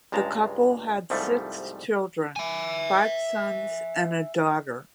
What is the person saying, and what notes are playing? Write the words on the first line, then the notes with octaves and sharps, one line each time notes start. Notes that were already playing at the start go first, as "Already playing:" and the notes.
The couple had six children: five sons and a daughter.
C#2 G2 G#3 A5 A#5
C2 G#2 F3 G3 A3
E5 G#5